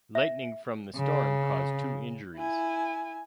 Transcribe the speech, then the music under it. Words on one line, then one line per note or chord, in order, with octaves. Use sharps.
Lightning from the storm caused two injuries.
E5
C#3
E4 G#5